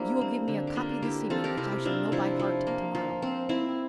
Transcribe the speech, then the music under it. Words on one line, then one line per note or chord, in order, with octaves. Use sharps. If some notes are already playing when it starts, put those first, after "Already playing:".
"You will give me a copy this evening, which I shall know by heart tomorrow."
Already playing: F3 A#3 D4 E4 G4 D5
C4
D3
G4
A#3 D4 F4
D3 E4 G4
C4 F4 A4
G4 A#4
C3 E4 G4
C4 D4 F4
F3 E4
F3
A#3
F3
C4
C4 E4